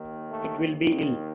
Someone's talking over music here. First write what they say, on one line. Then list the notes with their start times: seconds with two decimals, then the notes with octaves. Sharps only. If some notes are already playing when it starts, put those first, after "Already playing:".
It will be ill.
Already playing: D#2 D#3
0.31 A3
0.76 D#2 D#3